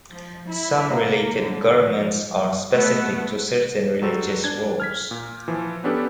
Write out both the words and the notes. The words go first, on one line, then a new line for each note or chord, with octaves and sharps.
Some related garments are specific to certain religious roles.
F3
E4
A#3
D3
F3
A3 B3
F#3 G3 F#4 A4 C5
D4 G#6
F6 G#6 B6
A#2
E3 F3
B3 C#4 D4 G4 A4 B4